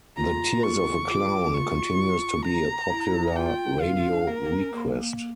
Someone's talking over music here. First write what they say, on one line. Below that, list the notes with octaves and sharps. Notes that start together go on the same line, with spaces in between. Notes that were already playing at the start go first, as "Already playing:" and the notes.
"The Tears of a Clown" continues to be a popular radio request.
F4 A#5
C#6
F4 D6
F4 C#6
A#5
E4
F4 G5
E4
F4 F5
F4
D4
A#3 A#4
A#3
C#4
A#3